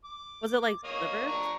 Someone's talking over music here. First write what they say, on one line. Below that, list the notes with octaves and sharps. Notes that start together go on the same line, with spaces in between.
Was it, like, slivers?
D6
A#3 C#5 D#5
D4 A#5 C#6